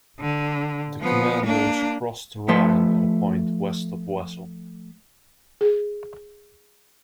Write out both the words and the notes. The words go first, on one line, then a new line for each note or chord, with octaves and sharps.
The Commandos crossed the Rhine at a point west of Wesel.
D3
F3 B3
A#3 D4
F3 A3 B4 C5 C6
G#4